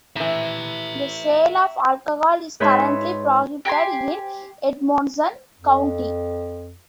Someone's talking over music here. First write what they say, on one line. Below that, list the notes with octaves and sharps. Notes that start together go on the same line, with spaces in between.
The sale of alcohol is currently prohibited in Edmonson County.
A2 E3 E5 A#5
G#2 B4 C#5 E5 C6
G4 G#5 A#5 C6
F2